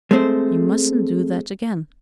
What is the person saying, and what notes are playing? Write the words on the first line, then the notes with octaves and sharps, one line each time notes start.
"You mustn't do that again."
G#3 A3 C4 C5